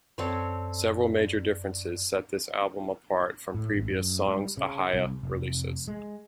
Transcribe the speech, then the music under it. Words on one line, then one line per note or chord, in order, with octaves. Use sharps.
Several major differences set this album apart from previous Songs: Ohia releases.
F#2 C4 A4 C#5 D5
A2
G#1
F#2
G3
C#3
C2
F1
G#3